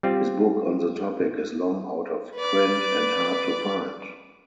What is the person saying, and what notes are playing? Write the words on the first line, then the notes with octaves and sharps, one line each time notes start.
His book on the topic is long out-of-print and hard to find.
G3 C4 F4 G4
B4 D5